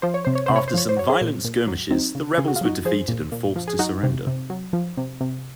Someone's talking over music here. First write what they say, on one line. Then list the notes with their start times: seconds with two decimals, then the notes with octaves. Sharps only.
After some violent skirmishes the rebels were defeated and forced to surrender.
0.02 F3 C5
0.14 C#5
0.25 C3 C5
0.35 C#5
0.46 C3 C5
0.56 C#5
0.68 C5
0.74 F3 C#5
0.89 C5
0.97 F#3 C#5
1.09 G#4 C5
1.21 A#2
1.45 A#2
1.67 F#3
1.91 F#3 C4 D#4
2.15 C#3
2.38 C#3 G#4
2.48 F#4
2.56 F4
2.61 F#3 D#4 F#4
2.85 F3 G#4 C5
3.08 A#2
3.32 A#2
3.56 F3
3.68 G#4
3.79 F#3 D#4 F#4
4.03 C3
4.27 C3
4.50 F#3
4.73 F3
4.97 C3
5.21 C3